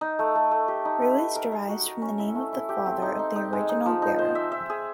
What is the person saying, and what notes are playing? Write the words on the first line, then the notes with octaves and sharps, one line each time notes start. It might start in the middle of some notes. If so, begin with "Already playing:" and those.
Ruiz derives from the name of the father of the original bearer.
D#4
A3
A3
A3
G4
D#4
B4
B4
A#4
A#4
F#4
A#4
C#4
E4
A3
E4
G4
C4
D#4
D#4
D#4
G#3
D#4
F3
D#4
C5
E5
E5
G#4